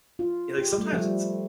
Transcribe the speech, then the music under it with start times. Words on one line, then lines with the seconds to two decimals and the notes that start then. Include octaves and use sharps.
yeah, like, sometimes it's
0.19 F4
0.58 G4
0.73 G3
0.78 A3
0.93 F3
0.97 G3